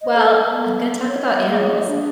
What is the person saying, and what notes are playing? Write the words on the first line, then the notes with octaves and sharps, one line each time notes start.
Well, I'm gonna talk about animals.
D#5
A4
B3
C#5
G#4
D4